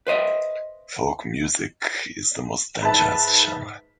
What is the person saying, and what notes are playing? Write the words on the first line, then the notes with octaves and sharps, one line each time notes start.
Folk music is the most dangerous genre.
B4 C5 D#5 E5
G#2 B4 E5 A5